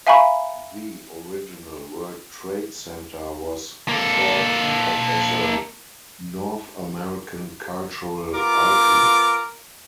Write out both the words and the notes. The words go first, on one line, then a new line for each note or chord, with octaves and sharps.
The original World Trade Center was thought of as a North American cultural icon.
E5 F5 G#5 A#5 B5 C#6
A#3 A4
B3 F4 A#4 D6